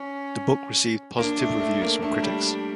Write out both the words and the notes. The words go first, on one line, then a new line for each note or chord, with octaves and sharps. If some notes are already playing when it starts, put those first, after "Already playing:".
The book received positive reviews from critics.
Already playing: C#4
A#3 D4
A3
A3
A#3
A3 D4
G3